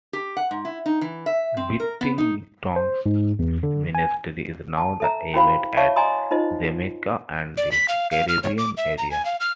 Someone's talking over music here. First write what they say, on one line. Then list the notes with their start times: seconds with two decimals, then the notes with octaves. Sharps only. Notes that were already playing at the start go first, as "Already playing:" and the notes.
Whittington's ministry is now aimed at Jamaica and the Caribbean area.
0.13 G4
0.37 F#5
0.51 G#2
0.65 E4
0.86 D#4
1.01 E3
1.26 E5
1.57 C4
1.80 A#4
2.01 B3
2.18 D#4
2.76 C5
3.06 G#2
3.39 E2
3.63 D3
3.95 G#5
4.78 A5
5.00 A4 E5 A#5
5.34 C#4 E4 F#4 C5 F5 B5
5.77 C#5 E5 F5 A5 C#6
5.96 D5 D#5 G#5 A#5 C6 D#6
6.31 D#4 F4 C5 D#5
7.57 D5
7.72 B6
7.89 F5
8.11 F5
8.29 F6
8.43 C#5
8.58 D6
8.77 E5
8.98 A#5
9.11 G#5
9.25 F5
9.40 F6